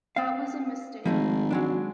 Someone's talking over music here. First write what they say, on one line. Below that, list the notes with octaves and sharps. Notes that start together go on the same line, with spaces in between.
That was a mistake.
C4 F5
G#1 F3 G#3 A3
F#3 G#3 D4